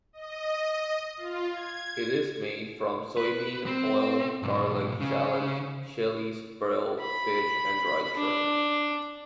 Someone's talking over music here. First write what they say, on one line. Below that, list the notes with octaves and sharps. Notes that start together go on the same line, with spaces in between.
It is made from soybean oil, garlic, shallots, chilies, brill fish and dried shrimp.
D#5
F4
G#6
B4
C4
B1 G#2
C#3
B5
D4